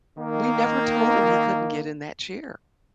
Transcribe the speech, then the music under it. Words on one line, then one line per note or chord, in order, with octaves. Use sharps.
we never told him he couldn't get in that chair.
D#3 A#3